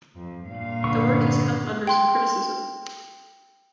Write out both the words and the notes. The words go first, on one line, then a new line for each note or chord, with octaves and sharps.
The work has come under some criticism.
F2
G2 A#2 F5
D3 B3 C#6
G5 C6